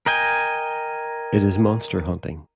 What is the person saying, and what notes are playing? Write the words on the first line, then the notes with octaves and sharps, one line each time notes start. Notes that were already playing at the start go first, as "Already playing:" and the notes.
It is monster hunting.
A#4 D#5 G5 G#5